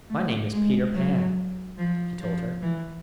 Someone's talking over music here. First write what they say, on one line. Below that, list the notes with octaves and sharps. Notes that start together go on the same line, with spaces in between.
"My name is Peter Pan," he told her.
A3
G#3
F#3
F3
F3
E3